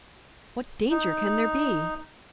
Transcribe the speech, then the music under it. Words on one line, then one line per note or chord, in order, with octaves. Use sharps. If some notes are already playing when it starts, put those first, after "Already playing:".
"What danger can there be?"
D#4